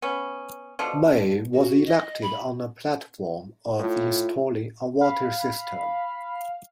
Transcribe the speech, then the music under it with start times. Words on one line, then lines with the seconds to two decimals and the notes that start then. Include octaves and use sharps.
May, was elected on a platform of installing a water system.
0.02 B3 C#4
0.79 B2 D3 F3
1.53 F#4
1.86 D#5
2.22 B5
3.79 A2 F4
5.01 F5 B5